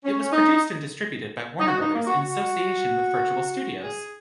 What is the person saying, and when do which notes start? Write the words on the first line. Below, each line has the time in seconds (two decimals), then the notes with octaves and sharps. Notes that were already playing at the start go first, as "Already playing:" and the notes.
It was produced and distributed by Warner Brothers in association with Virtual Studios.
0.03 C#4
0.31 D#4
1.59 D#4
1.66 F#4
1.80 D#4
1.93 A#3
2.06 F#4
2.20 F#4
3.82 G#4